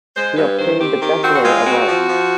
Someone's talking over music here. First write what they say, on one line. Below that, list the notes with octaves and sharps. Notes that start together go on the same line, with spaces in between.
He obtained the Bachelor of Arts.
G#3 C5
G2 B4
D#3 C5
C4 G4
D#3 G4
C4 F#4
F#4
G#3 F4
C4 F#4
F3
F3